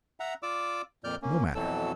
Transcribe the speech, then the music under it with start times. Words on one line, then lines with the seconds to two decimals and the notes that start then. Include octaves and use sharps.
No matter!
0.20 E5 F#5 A#5
0.43 F4 D5 D6 E6
1.04 F2 A#2 D5 F6 G6
1.22 A#3 C#4
1.55 F2 B2 E3 F#3 A4 E6